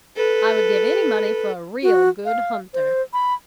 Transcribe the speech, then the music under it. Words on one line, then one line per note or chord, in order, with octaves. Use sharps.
I would give any money for a real good hunter.
A4 B4
F#4
F5
C5
B5